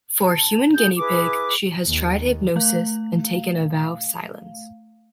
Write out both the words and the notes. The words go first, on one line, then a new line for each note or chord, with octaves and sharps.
For "Human Guinea Pig", she has tried hypnosis, and taken a vow of silence.
A5
F4 G#4 G6
E4 G#4 B4 D6
D#2
A3 F5